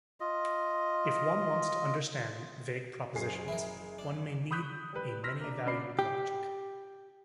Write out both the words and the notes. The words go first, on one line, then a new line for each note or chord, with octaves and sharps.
If one wants to understand vague propositions, one may need a many-valued logic.
F4 D#5
F#1 G#4 C7
E4 A#4
D4
B5 C#6 D#6 F#6 G6 B6
G3 B4
C6 E6 F6 A#6 B6
A#3 D4
C#3 D5 B5 C7
G4